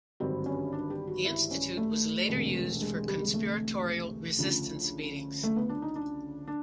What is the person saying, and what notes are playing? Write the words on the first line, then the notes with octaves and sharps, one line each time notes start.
The Institute was later used for conspiratorial resistance meetings.
G#1 G2 D3 F#3 C4
C#4
D4
G4
F#4
E4
C#4
A3
E1 D2 C3
G#3
G#3
G3
G#3
A3
D2 C#3 F3
A3
B3
D4
D#4
D4
D4